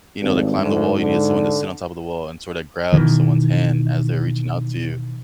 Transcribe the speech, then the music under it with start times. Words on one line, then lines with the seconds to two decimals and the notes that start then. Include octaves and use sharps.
you know, they climb the wall, you needed someone to sit on top of the wall and sort of grab someone's hand as they're reaching out to you,
0.21 G#1 G2
0.61 D2 G#2
1.00 D3
2.92 B2 D#3 E3